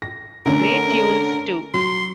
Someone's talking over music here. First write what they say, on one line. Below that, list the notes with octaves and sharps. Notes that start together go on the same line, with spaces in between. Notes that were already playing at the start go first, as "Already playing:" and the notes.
Great tunes too.
A#6
D3 A3 C#4 A#4
F#3 C6